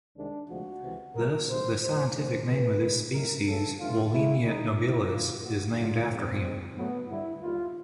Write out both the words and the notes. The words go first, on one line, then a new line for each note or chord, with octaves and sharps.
Thus, the scientific name of this species, "Wollemia nobilis", is named after him.
C2 C3 D#3 G#3 D4
D2 C3 F3 G#3 F#4
C#2 C3 E3
A#2 F#3 A3 A#4
C2 C3 F3 G#3 C5
G#2 E3 G3 C5
F#2 D#3 F#3 A3 C5
A2 F3 A3 B4
G2 E3 G#3
F#2 D#3 F#3 A3 A#4
C#2 C#3 F#3 A3 A4
G2 E3 A3 F4
G#2 E3 G#3 E4
C#2 C3 F3 G#3 D#4
F2 C3 D#3 E4
F#2 D#3 F#3 A3 F4
A#2 G3 F#4
A2 F#3 A3 F4
D2 D3 F3 G#3 C4
G2 D#3 G#3
A2 F#3 A3 B3
G2 D3 G3 E4
D#2 D#3 G3 F4